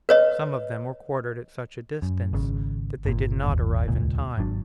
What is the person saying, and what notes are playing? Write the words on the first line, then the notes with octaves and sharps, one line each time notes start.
Some of them were quartered at such a distance that they did not arrive in time.
B4 C#5 D#5
F#2
G#1 C#3
G1 A#2
D1 G1 D#2
D#1 G#1 C#2 A#2
G#1 F#3 D4